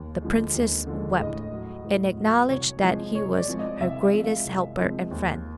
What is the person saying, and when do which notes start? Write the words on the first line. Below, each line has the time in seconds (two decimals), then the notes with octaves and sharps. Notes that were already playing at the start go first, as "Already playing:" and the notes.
The princess wept, and acknowledged that he was her greatest helper and friend.
Already playing: D#2
0.22 D3 F3 G#3
0.54 D#2
0.87 D3 F3 G#3
1.20 A2 D#5
1.53 F#3
1.85 A2
2.18 F#3
2.50 C2 C#5
2.82 C3 F3 G#3
3.15 C2 C#5
3.37 D5
3.48 C3 F3 G#3
3.59 D#5
3.80 C2 E5
4.02 E5
4.13 C3 F3 G#3
4.24 F5
4.45 C2
4.78 C3 F3 G#3
5.11 D#2